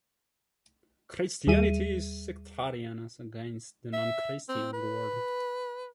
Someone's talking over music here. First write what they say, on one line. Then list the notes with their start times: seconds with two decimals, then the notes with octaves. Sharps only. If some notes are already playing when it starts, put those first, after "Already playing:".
Christianity is sectarian as against the non-Christian world.
1.47 D#2 G3 G#4 E5 D#7
3.93 E5
4.49 C4
4.73 B4